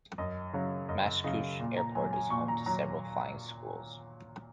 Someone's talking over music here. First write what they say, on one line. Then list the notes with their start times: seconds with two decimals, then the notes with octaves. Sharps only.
Mascouche Airport is home to several flying schools.
0.18 F#2 D#5
0.53 C#3 F#3 C#5
0.89 F#2 D#5
1.24 C#3 F#3 D#5
1.60 A#2
1.77 A#5
1.95 F#3 G#5
2.13 G#5
2.30 A#2 C#6
2.48 A#5
2.66 F#3 A#5